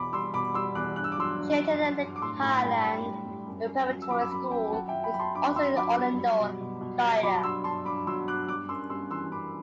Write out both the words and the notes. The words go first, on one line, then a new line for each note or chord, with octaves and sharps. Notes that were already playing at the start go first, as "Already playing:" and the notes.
She attended Lake Highland Preparatory School also in Orlando, Florida.
Already playing: E2 B2 B5 D6
G3 C6 E6
B2 B5 D6
G3 C6 E6
E2 D6 F#6
G2 F#6
E6
D6
F#3 C6 E6
G2
G2
F#3
G2
D6
A2 C6 E6
A2 B5 D6
G3 G5 B5
A2
G3
G3
F#2
F#2
F#3
E6
F#3 B5 D6
E6
F#2 B5 D6
F#3 G5 B5
F#3 F#5 A5
E5 G5
F#3
G5 B5
F#3 B5
A5 C6
G2 B5 D6
F#3 C6 E6
F#3 B5 D6
G3
G3
B2
B2
B2
G3
F#3 B5 D6
G2 C6 E6
G2 A5 C6
G2 B5 D6
F#3 C6 E6
G2 D6 F#6
G3 D6 F#6
F#2 C6 E6
G3 C6 E6
E3 C6 E6
F#2 B5 D6